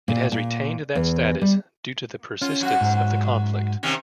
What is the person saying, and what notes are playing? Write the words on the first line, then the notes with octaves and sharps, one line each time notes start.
It has retained that status due to the persistence of the conflict.
A#2
A#2
E2
G3
C#4 F4
F#2 F#4
G#2
C3 D#3 C#4